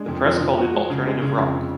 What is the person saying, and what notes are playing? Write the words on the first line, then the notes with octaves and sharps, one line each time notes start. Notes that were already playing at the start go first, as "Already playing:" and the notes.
The press called it “Alternative rock”.
Already playing: G#3 D4
F2
F3
F3
F#4
G#3
C#3
G#3
C#3
F2
C#3